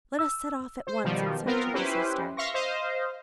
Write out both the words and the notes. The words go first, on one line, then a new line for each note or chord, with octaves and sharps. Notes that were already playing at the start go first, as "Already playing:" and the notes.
Let us set off at once in search of the sister.
E6
C5
B2 D#3 F3 G3
B3 C4 F4 A#4
C#4 E4 G4 B4 C5
E5 F5 C6 C#6 A#6
C5 D#5 F5